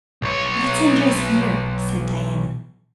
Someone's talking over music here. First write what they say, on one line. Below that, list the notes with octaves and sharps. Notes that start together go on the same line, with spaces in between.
"Let's undress here," said Diana.
B1 C#5